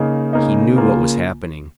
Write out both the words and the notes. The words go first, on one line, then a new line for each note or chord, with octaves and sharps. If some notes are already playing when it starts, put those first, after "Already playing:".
He knew what was happening....
Already playing: C#3 A#3 D#4
C#3 A#3 D#4
C#3 A#3 F4